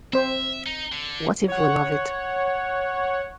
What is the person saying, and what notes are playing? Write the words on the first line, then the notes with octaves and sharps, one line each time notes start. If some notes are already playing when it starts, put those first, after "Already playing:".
What if we love it?
C4 C5 E5
D#4
D3
C#5 F#5